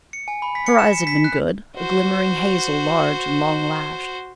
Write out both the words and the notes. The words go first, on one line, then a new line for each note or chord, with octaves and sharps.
Her eyes had been good--a glimmering hazel, large and long-lashed.
C#7
G#5
B5
B6
C#7
E7
C#7
B6
F#6
F#4 C5